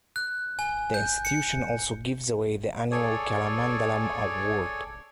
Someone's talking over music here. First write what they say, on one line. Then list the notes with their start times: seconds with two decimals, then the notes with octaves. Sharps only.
The institution also gives away the annual Kalamandalam award.
0.16 F#6
0.59 G#5
0.94 G6
1.25 C#7
2.92 G#4 A4 C#5 D5 G#5